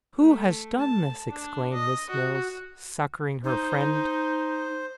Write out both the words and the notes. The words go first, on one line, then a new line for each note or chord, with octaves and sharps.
'Who has done this?' exclaimed Miss Mills, succouring her friend.
A3
A5
D4
D#5
F#4
D#4 C5